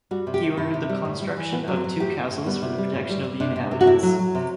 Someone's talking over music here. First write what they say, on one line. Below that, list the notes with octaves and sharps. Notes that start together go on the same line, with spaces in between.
He ordered the construction of two castles for the protection of the inhabitants.
G3 F#4
C3
G4
C3
C3 E4
C3
G3
A2
G3
E3
A2 B3
F#3
C4
F#3
A2 G4
A2
A2
G3 B3
C3
G3
A2
G3
G3
C3 D4
C3
C3
F#4
A2 E4
F#3
F#3
C3